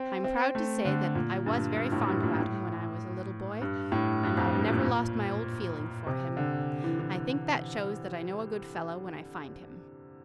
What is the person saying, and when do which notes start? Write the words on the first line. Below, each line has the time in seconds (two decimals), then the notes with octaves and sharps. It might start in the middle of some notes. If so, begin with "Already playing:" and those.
I'm proud to say that I was very fond of Adam when I was a little boy, and I have never lost my old feeling for him--I think that shows that I know a good fellow when I find him.
Already playing: C4
0.24 C4
0.55 A3
0.85 D3
1.15 A#2
1.46 G2
1.76 G2
1.92 A2
2.07 G2
2.23 A#2
2.39 A2
3.62 G2
3.92 A2
4.23 G2
4.37 F2
4.54 G2
4.68 A#2
6.07 C3
6.37 D3
6.84 E3
6.99 E3